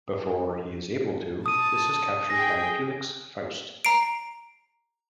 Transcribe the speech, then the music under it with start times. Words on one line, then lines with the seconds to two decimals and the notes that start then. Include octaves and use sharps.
Before he is able to, his is captured by Felix Faust.
1.46 A5 D#6 D#7
2.30 G#4 G5 A#6
3.85 A#5 C7 D7